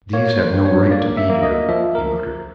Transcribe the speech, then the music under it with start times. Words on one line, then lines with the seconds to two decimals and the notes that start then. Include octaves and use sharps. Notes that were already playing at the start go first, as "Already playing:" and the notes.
"These have no right to be here," he muttered.
0.13 A#3 C#5
0.39 C5
0.53 G2
0.65 C#5
0.91 A#3 D5
1.17 E5
1.29 A#3
1.43 D#5
1.69 F3 E5
1.95 A#4